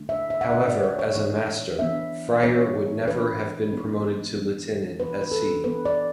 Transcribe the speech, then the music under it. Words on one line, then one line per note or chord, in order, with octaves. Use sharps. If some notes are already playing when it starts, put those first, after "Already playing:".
However, as a Master, Fryer would never have been promoted to lieutenant at sea.
Already playing: D3 A3 D4
E5
E5
F#5
D3 A3 D4 E5
D5
C#5
C#5
E3 B3 D4 C#5
E3 B3 D4 E5
E3 B3 D4 C#5
E3 B3 D4 B4
E3 B3 D4
E3 B3 D4
E3 B3 D4 B4
B4
A4
E3 B3 D4 B4
D5